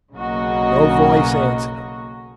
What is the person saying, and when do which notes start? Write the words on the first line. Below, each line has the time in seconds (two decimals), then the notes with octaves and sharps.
No voice answered him.
0.15 B1 C#3 A#3 F#4 D#5